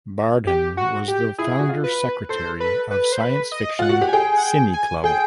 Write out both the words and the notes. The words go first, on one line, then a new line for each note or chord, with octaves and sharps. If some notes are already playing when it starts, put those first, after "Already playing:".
Bardhan was the founder secretary of Science fiction cine club.
G4
F#4
G4
E4 G#4
F#4
F4
B4
A4 C5
B4
B4
C5
B4
D#5
F4 F#5
F#4
G4
G#5
G#4 G5
F#5
G5
G#5
G#4 G5